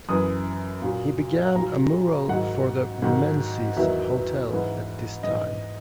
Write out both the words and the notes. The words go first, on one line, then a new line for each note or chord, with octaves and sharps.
He began a mural for the Menzies Hotel at this time.
F#2 E3 D#6
A#2 F#3
A#2 F#3 A#5
G#2 D#3 F#3 F#5
G#2 D#3 F#3
E2 D#3 F#3 E5
G#2 E3
G#2 E3 D#5